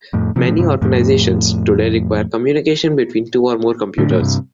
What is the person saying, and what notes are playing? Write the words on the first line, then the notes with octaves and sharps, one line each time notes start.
Many organizations today require communication between two or more computers.
F2 A2
C3 F3
A2
G2 C3
F2 A2
A2 D3
A2
G2 C3